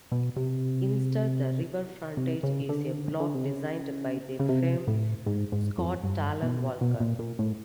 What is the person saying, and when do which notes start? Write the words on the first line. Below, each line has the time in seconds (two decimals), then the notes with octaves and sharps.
Instead the river frontage is a block designed by the firm Scott Tallon Walker.
0.12 B2
0.36 C3
2.17 C3
2.43 C#3
2.69 D3
2.87 D#3
2.94 D3
3.20 D3
3.34 C3
3.46 C#3
4.39 C#3
4.49 C3
4.87 A2
5.26 G#2
5.52 G#2
5.78 F2
6.03 G2
6.43 B2
6.81 B2
7.00 A#2
7.19 A#2
7.39 A2